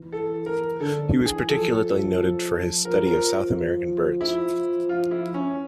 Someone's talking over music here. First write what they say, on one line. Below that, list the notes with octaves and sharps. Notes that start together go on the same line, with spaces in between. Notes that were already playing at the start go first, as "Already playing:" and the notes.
He was particularly noted for his study of South American birds.
Already playing: E3
A4
A#4
D3 A4
E3
G#4
F3 A4
F3 A#4
A#4
E4
F4
E4
C#4